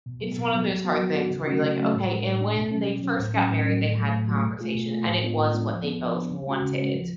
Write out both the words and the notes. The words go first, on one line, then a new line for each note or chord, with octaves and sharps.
it's one of those hard things where you're like, "Okay," and when they first got married, they had the conversation, and it was what they both wanted.
B2
F#3 B3
B2
F#3 B3
F#3
B3 F#4
F#3
B3 F#4
C#3
F#3 A3 C#4 F#4
C#3
F#3 A3 C#4 F#4
A2
G#3 D4
A2
G#3 D4
B2
F#3 C#4
B2
F#3 C#4
A2
F#3 C#4
A2
F#3 C#4
A2
F#3 A3
A2
F#3 A3
B2
A3 F4 G#4
B2
A3 F4 G#4
A2
G#3 B3 D4 F4
A2
G#3 B3 D4 F4
F3
B3 D4
F3
B3 D4
C#3
G#3 C#4 F#4
C#3
G#3 C#4 F#4
F3